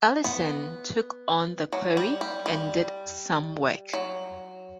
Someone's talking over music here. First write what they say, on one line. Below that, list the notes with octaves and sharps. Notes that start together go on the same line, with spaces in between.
Ellison took on the quarry and did some work.
B3
F#3
G3
G3
G3
F#3